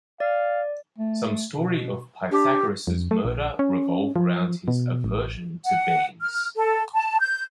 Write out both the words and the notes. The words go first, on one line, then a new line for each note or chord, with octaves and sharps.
Some stories of Pythagoras' murder revolve around his aversion to beans.
D5 F5
A3
B2
D4 G4
F2
A3
A#1
C#4
F3
B2
A1
F#5
F6
A4
A5
G6